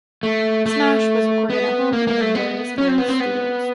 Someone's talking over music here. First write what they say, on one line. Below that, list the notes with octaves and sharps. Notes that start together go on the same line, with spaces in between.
"Smash" was recorded at home and in various Paris studios.
A3
A3
B3
A#3
A#3
A3
B3
C#4
C4
B3
C4
B3